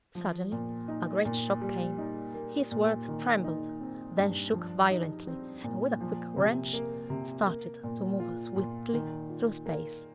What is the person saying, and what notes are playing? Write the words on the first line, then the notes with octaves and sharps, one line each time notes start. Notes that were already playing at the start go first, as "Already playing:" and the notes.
Suddenly a great shock came: his World trembled, then shook violently, and, with a quick wrench, started to move swiftly through space.
F3
A#2
D#4
A#2
G3
D#4
A#3
A#2
D#3
D#4
C4
G2
F3
D#4
C4
A#2
F3
C3
A#3
C3
A#3
A#2
F4
A#2
D#3
F4
A#3